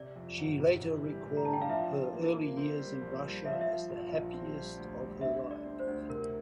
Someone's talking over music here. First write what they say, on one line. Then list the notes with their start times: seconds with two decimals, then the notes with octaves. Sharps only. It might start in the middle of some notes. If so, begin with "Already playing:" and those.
She later recalled her early years in Russia as the happiest of her life.
Already playing: C3 D5
0.16 F2
0.37 G1
0.59 C3
0.82 E3
1.04 G3
1.26 A2
1.37 A#5
1.45 D4 A5
1.53 G5
1.61 F5
1.69 F3 E5
1.92 F3
2.13 A#3
2.35 A#3
2.57 C4
2.79 G3
3.01 A#1
3.24 G3
3.45 F3 E5
3.53 F5
3.61 E5
3.68 F3
3.90 A#1
4.12 A#1
4.33 C4
4.55 G3
4.77 D2
5.00 G3
5.21 D3 E5
5.44 D3
5.51 D5
5.65 C4
5.80 C5
5.87 D2
6.10 C3 A#4